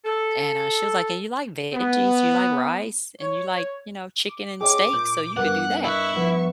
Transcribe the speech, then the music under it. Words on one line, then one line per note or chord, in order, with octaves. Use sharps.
and, uh, she was like, "Hey, you like veggies? You like rice? And you like, you know, chicken and steak. So you could do that."
A4
B3
C#5
D6
C#4 D#4 G4 G#4 D6
A#2 G6
G2 A#3 B3 F#5
E4 D#5 E5 C#6 F#6
F3 B4 F#5